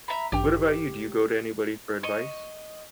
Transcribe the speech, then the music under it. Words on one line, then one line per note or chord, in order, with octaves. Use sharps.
what about you? Do you go to anybody for advice?
E5 A#5 B5
A1 G2 G4 G5
D#5 C#6